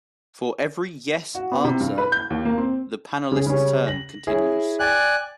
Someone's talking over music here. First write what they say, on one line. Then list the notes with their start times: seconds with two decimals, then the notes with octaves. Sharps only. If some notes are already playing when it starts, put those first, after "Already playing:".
For every "yes" answer, the panelist's turn continues.
1.35 F#4
1.52 B3
1.64 C3
1.80 G2
1.98 B4
2.12 G6
2.30 D#2
2.45 A#3
2.58 C4
3.32 C#3 G#4
3.47 C#3 G3 C#4
3.87 A#6 F#7
4.27 E4 G#4 C#5
4.80 D5 G5 G#5 F#6 A6